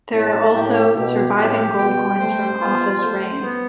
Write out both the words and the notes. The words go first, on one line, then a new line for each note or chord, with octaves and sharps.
There are also surviving gold coins from Offa's reign.
A2 A5
A2 G4
B2 G4
A2 G4
B2 G5
A3 C5
B3 F4
A3 C5
B3